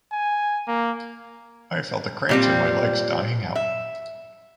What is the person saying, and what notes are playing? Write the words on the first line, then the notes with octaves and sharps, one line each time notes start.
I felt the cramps in my legs dying out.
G#5
A#3
A#2 G3 C4
E5